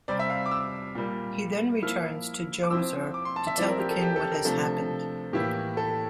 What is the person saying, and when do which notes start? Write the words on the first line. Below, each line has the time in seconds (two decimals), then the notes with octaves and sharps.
He then returns to Djoser to tell the king what has happened.
0.08 C3 G3 C4 D5
0.19 E5
0.30 F5
0.46 D6
0.51 E6
0.95 A#2 G3 A#3
1.82 F3 A#3 E4 F6
2.63 D6
2.70 F3 C4 E4 E6
3.14 D6
3.25 C6
3.36 A5
3.47 E5
3.58 F3 C4 E4 D5
3.68 A#4
3.80 G4
3.90 A4
4.01 G4
4.16 A4
4.31 A#4
4.45 C3 F3 A3 D4 A4
5.33 A2 E3 A#3 E4 G4
5.77 A4